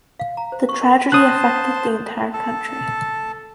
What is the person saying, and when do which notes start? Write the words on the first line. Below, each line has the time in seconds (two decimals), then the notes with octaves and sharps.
The tragedy affected the entire country.
0.19 F5
0.37 A#5
0.52 C5
0.69 C#6
0.81 A#4
1.12 C5 A5 C6 D#6 F#6
2.34 A4 A5